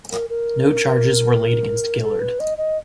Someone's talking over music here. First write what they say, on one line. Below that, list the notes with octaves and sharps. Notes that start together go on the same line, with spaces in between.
No charges were laid against Gillard.
A#4
A#4
A4
B4
D#5
D#5